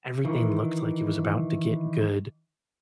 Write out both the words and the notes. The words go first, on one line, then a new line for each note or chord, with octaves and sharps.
everything looked like it was about to get good,
D#3 E3